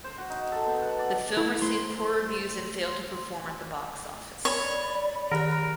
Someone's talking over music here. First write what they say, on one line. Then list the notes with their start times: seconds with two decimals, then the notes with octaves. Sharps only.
The film received poor reviews and failed to perform at the box office.
0.04 C5
0.18 F#4
0.30 D#4
0.52 A4
0.66 B3
0.82 F#5
0.99 D5
1.37 A3 E4
1.62 A3 C5 C6
4.45 C#5 D5 B5
5.32 D#3 G4 A#4 F#6